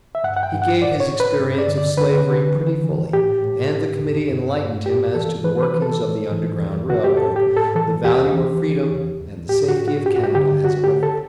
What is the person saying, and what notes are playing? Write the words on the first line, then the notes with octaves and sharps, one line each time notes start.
He gave his experience of Slavery pretty fully, and the Committee enlightened him as to the workings of the Underground Rail Road, the value of freedom, and the safety of Canada as a refuge.
E5
G2 F#5
F#5
G5
G2
F#5
A2 D5
C#5
A2
B4
G2
D5
D3
D5
D3 B4
D3
E3
E3
A2 G4
A2
C#3
E2
G2
G2
A2 G4
E3 A4
E3 B4
B4
E3
A4
A2
E3
E2
C#3 F#4
G4
A2 A4
G4
A2
A4
E3 A4
E2 G4
E3
E3
E2
E2
A2 G4
F#4
A2
F#4
G2 G4
F#4
G4
D3 G4
C#3 F#4
G4
C#3
A4